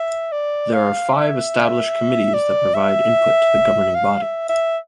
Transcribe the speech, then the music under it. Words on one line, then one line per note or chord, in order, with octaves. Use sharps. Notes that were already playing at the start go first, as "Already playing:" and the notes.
There are five established committees that provide input to the governing body.
Already playing: E5
D5
F5
E5
D5
E5
F5
E5
E5